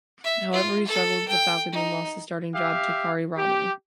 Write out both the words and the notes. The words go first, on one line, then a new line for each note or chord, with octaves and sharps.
However, he struggled with the Falcons and lost his starting job to Karri Ramo.
E5
F4
A4
G5
D#4
G4 E5 F5
G4